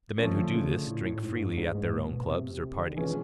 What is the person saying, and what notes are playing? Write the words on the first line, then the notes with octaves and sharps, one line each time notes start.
The men who do this, drink freely at their own clubs or parties.
F3 A3 C#4
D3
C#3
D3
A2
A2
G#2
G#2
G2
G#2
G#2
A#2
B2
C3
D3
D#3
B2 E3 G#3 C#4 F4 G#4